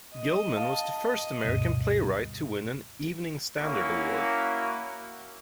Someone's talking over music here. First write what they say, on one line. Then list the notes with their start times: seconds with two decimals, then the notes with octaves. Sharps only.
Gilman was the first American playwright to win an "Evening Standard" Award.
0.14 D#5
0.57 F5 A5
1.45 D2 G2 B2
3.60 A#3 C#4 E4 F#4